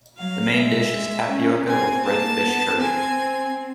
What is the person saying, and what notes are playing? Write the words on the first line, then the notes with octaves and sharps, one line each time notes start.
The main dish is tapioca with red fish curry.
F#3 F5
G#3 E5
C#4
C4 G#5
A#3 A5
B3
C4 G#5